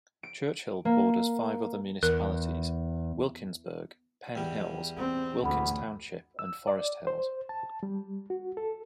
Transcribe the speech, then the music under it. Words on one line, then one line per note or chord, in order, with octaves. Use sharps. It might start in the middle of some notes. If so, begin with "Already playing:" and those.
Churchill borders five other municipalities: Wilkinsburg, Penn Hills, Wilkins Township and Forest Hills.
D7
A#3
E2 A#4
E2 G3
C4
D2 F#5 B5
E6
D5
C5
A5
G3
F#4
A4